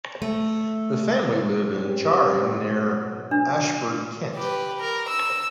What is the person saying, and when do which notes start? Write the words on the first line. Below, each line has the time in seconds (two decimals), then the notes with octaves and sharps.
The family live in Charing, near Ashford, Kent.
0.22 A3
1.75 C4 C#4 G4
2.59 B2 F#3
3.31 D4
4.35 G4 B4
4.80 A#4
5.09 E6